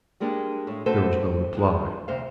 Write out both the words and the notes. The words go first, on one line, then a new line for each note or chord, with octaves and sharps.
There was no reply.
G3 G#3 A#3 D4 G4
A2 G#3
A3 C4 F#4 A4 B4 C5
D#2
F3 G#3 C4
D2 C3 C5 F5